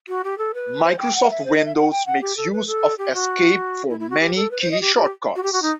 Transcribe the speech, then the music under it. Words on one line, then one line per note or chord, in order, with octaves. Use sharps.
Microsoft Windows makes use of "Esc" for many key shortcuts.
F#4
G4
A4
B4
C5
G5
F#5
E5
C5
D#5
E5
F#5
G5
F#5
G4
A4
B4
A4
G4
F#4
E4
E4
F#4
G4
A4
B4
C5
D#5
G4
G4
F#4
G4
F#4
D#4